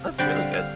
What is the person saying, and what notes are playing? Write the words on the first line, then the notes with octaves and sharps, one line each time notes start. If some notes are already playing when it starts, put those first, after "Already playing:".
That's really good.
Already playing: C3 F5
D3 G3 C4 G5
F5
F5